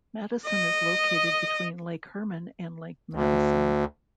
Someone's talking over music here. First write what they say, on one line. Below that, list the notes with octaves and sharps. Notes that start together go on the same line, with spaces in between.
Madison is located between Lake Herman and Lake Madison.
D#5
D2